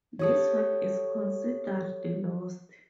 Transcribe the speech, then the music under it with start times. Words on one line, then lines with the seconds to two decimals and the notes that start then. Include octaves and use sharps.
This work is considered lost.
0.19 F#4 G4 A4 C#5 D#6